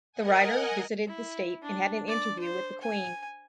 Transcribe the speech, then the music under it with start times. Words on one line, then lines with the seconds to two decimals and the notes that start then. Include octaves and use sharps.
The writer visited the state and had an interview with the queen.
0.12 A#4 D#5 F#5 G#5
1.07 E4
1.62 D4
2.08 D5
2.39 C5
2.82 G#5